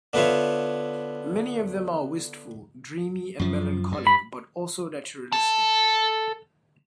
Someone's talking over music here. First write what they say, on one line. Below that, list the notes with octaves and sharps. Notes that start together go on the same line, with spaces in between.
Many of them are wistful, dreamy and melancholic but also naturalistic.
D3 B3 E4 F4 C#5
F#2 F3
G2
B5
A4 A5